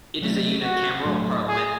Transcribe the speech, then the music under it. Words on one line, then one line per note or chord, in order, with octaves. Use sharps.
It is a unicameral parliament.
C#3 F#3 A3
F#4
A2 F#3 A3
G#4